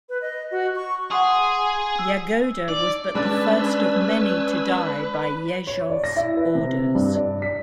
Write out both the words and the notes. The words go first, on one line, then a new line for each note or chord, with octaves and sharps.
Yagoda was but the first of many to die by Yezhov's orders.
B4
D#5
F#4
C#6
G#4 F#5 C6 D#6
E6
D#4 D5
G#3 C#4 D4 B4 A5 E6
C#5
D5
A#6
E4
B4
C3
G2
D5
B6